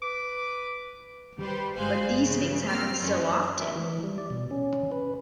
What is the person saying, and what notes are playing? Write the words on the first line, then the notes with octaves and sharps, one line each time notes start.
But these things happen so often!
B4 D6
G3 G4 B4 C5
G1 G#3 C5 F5 G#5 F#6
C#3 E3
F#3 A#3 C4 F6
F#2 E3 C#4 D4
E5
E3
G3
D5
B2
C#4
B4